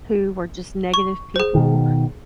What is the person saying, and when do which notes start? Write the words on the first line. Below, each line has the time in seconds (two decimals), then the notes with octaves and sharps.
who were just negative people,
0.94 C#6
1.36 G#4 C5
1.55 B2 D#3